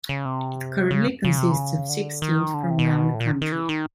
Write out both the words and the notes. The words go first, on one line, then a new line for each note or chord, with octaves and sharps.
It currently consists of six teams from around the country.
C#3
C3
C#3
C#3
C3
C#3
D3
D#3
D3
C#3
C3
B2
A2
A#2
D#3
E3
D#3